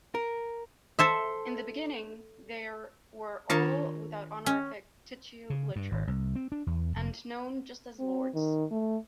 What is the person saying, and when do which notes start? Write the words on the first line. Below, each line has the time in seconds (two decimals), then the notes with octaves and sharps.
In the beginning, they were all without honorific titulature, and known just as "lords".
0.15 A#4
0.99 A4 C5 E5
3.50 D#3 D4 F4 A#4 C#5 A5
4.46 C#4
5.50 C#3
5.76 G2
5.92 G#1
6.07 C2
6.36 C4
6.52 D4
6.67 E2
6.96 F1
7.99 C4
8.34 D#3
8.71 A3